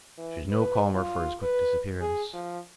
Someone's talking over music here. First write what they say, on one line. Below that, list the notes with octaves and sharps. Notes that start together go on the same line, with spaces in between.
She was no calmer for his quick disappearance.
E3
B4
F4
B4
G#4
F3